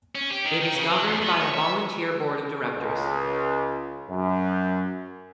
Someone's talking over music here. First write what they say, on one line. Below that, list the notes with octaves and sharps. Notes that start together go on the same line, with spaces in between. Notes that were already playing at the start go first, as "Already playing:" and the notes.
It is governed by a volunteer board of directors.
C#4
G4
D#3
D#3
C#3
F#3
E2
B3
C#5
E5
C#2
F#2